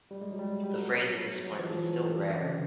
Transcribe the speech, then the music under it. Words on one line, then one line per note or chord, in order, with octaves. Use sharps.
The phrase at this point was still rare.
G3
G#3
F#3
G3
G3
F#3
F#3
F3
E3
F3
E3
C#3
D3